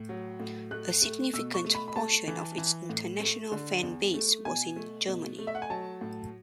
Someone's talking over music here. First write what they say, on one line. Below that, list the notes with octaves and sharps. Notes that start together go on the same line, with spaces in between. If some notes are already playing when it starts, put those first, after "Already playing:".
A significant portion of its international fanbase was in Germany.
Already playing: A2
F#3
A2
A3 F#6
A3
B2 E6
C#6
A3
B5
B5
A3 A5
E3
E3
A2
A3
D3
E2
A3
B2 G#5
A3
B2
A3
E5
F#5
G#5
F#3 A5
A2